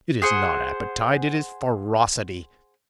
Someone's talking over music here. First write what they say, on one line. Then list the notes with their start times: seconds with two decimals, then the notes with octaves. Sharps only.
It is not appetite, it is ferocity.
0.22 G#4 C5 F#5